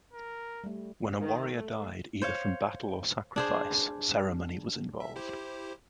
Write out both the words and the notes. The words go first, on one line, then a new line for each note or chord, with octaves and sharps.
When a warrior died either from battle or sacrifice, ceremony was involved.
A#4
G3 A3
D#3
A3
C5 C#5 F5
D4 G#4 C5
E5
E4 G4 C5